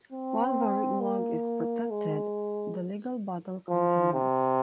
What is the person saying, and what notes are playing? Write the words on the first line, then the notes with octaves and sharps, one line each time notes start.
While VarigLog is protected, the legal battle continues.
C4
A#3
G#3
F3
C3